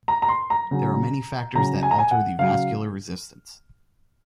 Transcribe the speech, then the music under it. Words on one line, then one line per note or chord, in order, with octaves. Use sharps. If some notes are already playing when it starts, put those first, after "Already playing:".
There are many factors that alter the vascular resistance.
A#5
A#5
C6
A#5
C#3 F#3 C#4
C#3 F#3 C#4 A#5
G#5
A#5
G#5
F#5
C#3 F#3 C#4 F5